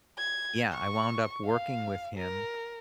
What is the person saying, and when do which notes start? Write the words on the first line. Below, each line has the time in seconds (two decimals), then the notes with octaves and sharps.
Yeah, I wound up working with him,
0.18 G#6
0.73 C#6
1.45 F5
2.18 A#4